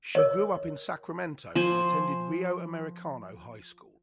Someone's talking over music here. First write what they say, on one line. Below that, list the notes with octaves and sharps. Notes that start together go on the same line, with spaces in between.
She grew up in Sacramento and attended Rio Americano High School.
A#4 C#5 D#5
F3 C5 G#5